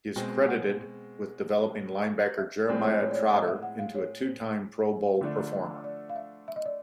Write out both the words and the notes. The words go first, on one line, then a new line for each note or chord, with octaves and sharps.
He is credited with developing linebacker Jeremiah Trotter into a two-time Pro Bowl performer.
B2 G#3 C4 G5
F#5
E5
A2 F3 G#3 C4 D5
C#5
C#5
D5
C#5
D#5
E5
F#5
F5
C#5
C5
D3 F3 A3 D4
D5
F5
E5
E5
D#5
D5